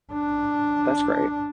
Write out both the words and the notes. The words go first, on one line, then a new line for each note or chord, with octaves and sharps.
That's great.
D4